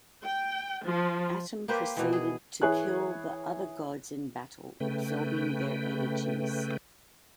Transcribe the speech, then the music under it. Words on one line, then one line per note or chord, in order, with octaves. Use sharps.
Atum proceeded to kill the other Gods in battle, absorbing their energies.
G5
F3
A#3 G4 B4 C5
B2 E3
G#4
E3 E4 G#4 C#5 F#6
C#3 A3 B4 G5